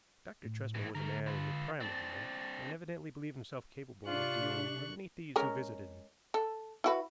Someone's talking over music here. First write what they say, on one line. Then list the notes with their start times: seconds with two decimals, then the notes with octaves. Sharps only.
Dr. Tresman was a man in the prime of life, and evidently believed himself capable of dealing with any thieves who visited him.
0.44 A2
0.75 D#2 E3
0.95 D3 A3 A#4
1.27 F4 B4
1.80 C4 D4 A6
4.07 C3 D4 F4 C#6 F#6
5.36 G#3 C#4 A#4
6.34 A4
6.84 E4 F#4 B4